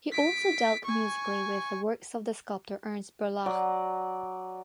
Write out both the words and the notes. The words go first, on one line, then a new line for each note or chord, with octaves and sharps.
He also dealt musically with the works of the sculptor Ernst Barlach.
B6 D7
G#5 C#6
F#3 D5